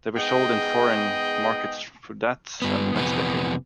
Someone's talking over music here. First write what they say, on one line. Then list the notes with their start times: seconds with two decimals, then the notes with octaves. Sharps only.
They were sold in foreign markets through that and the next decade.
0.16 G#2 B3 G#4 D#5 G5
2.62 G2 B3
2.95 F2 C3 E3 B3